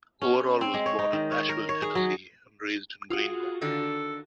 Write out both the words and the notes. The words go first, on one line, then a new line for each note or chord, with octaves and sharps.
Overall was born in Nashville, Tennessee, and raised in Greeneville.
C#4
C4
G#3
C#5
D#4
D#3
C#5
A#4
C#5
G#4
F#3
F4 F#4 G#4
D3 D#3 D4 A4